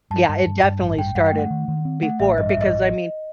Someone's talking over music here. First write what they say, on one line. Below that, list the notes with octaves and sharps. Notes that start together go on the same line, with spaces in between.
Yeah, it definitely started b before because, I mean,
G2 A5
G2
G2
G2
A1
G2 G5
G2 F#5
G5
A3
F#5
D#3
D#3
C4
A3 F#5
A1 E5
G2 D#5
E5
A1
D#5